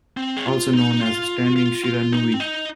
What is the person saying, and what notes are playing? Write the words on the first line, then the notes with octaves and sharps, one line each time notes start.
Also known as a standing "shiranui".
C4
G#4
F4
D#4
F4
F4
F4
D#4
C4
D#4